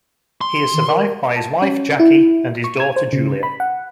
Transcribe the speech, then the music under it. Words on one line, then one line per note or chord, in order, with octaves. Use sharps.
He is survived by his wife, Jaquie, and his daughter, Julia.
C6
D#3
A#4
A5
C#4
E4
C#6
G#6
C5
C#3
B5
F#5